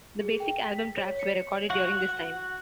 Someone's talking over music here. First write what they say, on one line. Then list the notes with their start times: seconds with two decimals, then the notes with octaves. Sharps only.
The basic album tracks were recorded during this time.
0.21 G#4
0.40 G5
0.65 B6
0.97 C#5
1.19 C#7
1.70 F#4 F#5